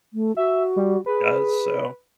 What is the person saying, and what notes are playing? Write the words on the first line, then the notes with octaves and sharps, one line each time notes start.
does, so
A3
F#4 E5
G3
G#4 B4